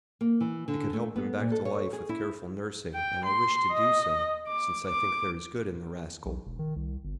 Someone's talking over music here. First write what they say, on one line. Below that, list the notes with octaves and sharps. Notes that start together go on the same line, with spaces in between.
I could help him back to life with careful nursing, and I wish to do so, since I think there is good in the rascal.
A#3
E3
D3
A3
B3
A#2
A4
C#5
G#4
E4
G5
C6
D#5
D6
D6
B1
E1
D#3
C2
G1